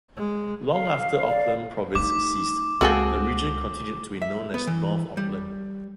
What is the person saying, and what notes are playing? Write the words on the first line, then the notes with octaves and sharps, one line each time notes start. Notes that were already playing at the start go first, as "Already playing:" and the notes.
Long after Auckland Province ceased, the region continued to be known as North Auckland.
G#3
F5
D5
A3 D#4 D6
C#2 A3 A#3 C4 F#4 G#4 A4
E5
B3
E3
G3